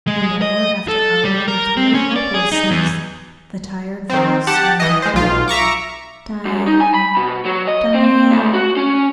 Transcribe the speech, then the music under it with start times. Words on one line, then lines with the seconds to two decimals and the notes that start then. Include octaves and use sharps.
And hour after hour with weary hopelessness the tired voice went on--"Diane, Diane...."
0.07 G#3
0.42 D#5
0.88 A4
1.25 G3
1.48 A#4
1.77 C4
1.94 C#4
2.16 D5
2.34 G#4
2.52 D#4
2.71 E2
4.10 D#3 C4
4.47 G4 F#5 A5
4.80 E3 D#5
5.02 G#3 C5
5.14 B1 F4
5.48 E5 A#5 C#6 D6
6.45 F#2
6.67 D#4
6.80 G#5
6.94 B5
7.17 B2
7.45 F#3
7.67 D#5
7.94 C4
8.31 C#2
8.53 F#4
8.77 C#4